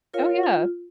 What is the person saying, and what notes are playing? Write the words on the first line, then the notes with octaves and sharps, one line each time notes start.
Oh, yeah.
F4 A#4 C#5 F5
F4